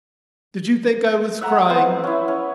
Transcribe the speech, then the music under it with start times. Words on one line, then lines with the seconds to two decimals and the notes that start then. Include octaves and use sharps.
Did you think I was crying?
1.41 E5 F#5 A#5
1.70 B3 C4
2.04 C#4 E4
2.28 C#4